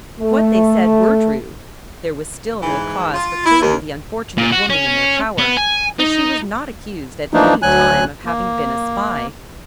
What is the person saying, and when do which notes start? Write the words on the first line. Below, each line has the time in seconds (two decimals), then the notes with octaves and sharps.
If what they said were true, there was still no cause for killing the unfortunate woman in their power, for she was not accused at any time of having been a spy.
0.20 A3
2.62 G#2 E3
3.14 F4
3.46 E4
3.62 D#2
4.37 A#2
4.52 F#4
4.70 C#4
5.38 B3
5.57 G#5
5.99 D#4
7.34 E3 F3 A3 A#3 D4 D#4
7.62 D2 F#3 G#5 F#6
8.25 A#3